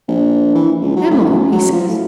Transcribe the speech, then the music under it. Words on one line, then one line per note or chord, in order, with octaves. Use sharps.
"Himmel!" he says.
A#1
E3
C#2
F#3
A2
F#2
F#3
F3
A2